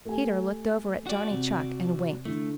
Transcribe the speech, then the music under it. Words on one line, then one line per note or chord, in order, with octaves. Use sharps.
Peter looked over at Johnny Chuck and winked.
A3 G4 G#5
F#4 D5
C3
D3 A3 E4